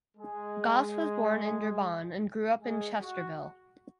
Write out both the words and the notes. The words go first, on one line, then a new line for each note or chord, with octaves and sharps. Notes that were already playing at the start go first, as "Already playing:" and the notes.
Goss was born in Durban and grew up in Chesterville.
G#3 G#4
G#3 G#4
F#4